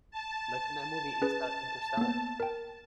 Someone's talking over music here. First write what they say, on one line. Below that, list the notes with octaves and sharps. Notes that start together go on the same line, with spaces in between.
Like in that movie, Insta Interstellar.
A5
C#4 G#4 B4
A#3 B3
A#4 G5